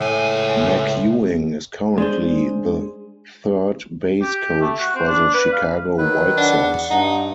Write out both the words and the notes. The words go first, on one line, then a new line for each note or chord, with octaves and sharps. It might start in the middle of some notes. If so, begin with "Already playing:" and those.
McEwing is currently the third base coach for the Chicago White Sox.
C#2 A2 G#5
G#3 D4 G#4 C5
G4
A3
F#4
C4
D4
B4
F5
D#3 F#3 B4
D4 F#5
E2
G2 D#4